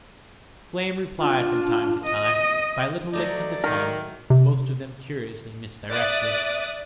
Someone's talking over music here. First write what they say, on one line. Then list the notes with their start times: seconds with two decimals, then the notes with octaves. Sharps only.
Flame replied from time to time by little licks of the tongue, most of them curiously misdirected.
1.20 D4 F4
2.05 D#5
3.13 F#3 A3 D#4 D5
3.64 D#3 A#4
4.30 C3
5.90 D5 E5 D#6 F#6